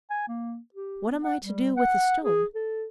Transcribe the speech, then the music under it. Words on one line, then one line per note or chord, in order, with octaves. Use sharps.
"What am I to do with a stone?"
G#5
A#3
G4
B3
F#5
G3
F#5
G#4
A4